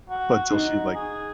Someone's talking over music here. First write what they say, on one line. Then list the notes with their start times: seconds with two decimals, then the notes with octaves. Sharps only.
until she, like
0.10 F#4
0.51 D#4
0.95 G#4